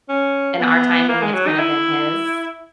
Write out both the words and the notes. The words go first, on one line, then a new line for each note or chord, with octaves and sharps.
in our timing, it's kind of in his.
C#4
B3
A#3
G#3
F#3
D#4
E4